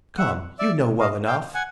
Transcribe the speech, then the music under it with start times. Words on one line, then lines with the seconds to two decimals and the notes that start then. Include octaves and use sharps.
"Come, you know well enough."
0.18 E5 F#5
0.59 D5 E5
1.00 D#5 F5
1.27 F5 G5
1.54 F#5 G#5